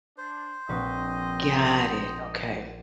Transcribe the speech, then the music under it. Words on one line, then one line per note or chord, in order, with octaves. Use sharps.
Got it, okay.
D4 C5
A#1 C4 B4 D#5 C#6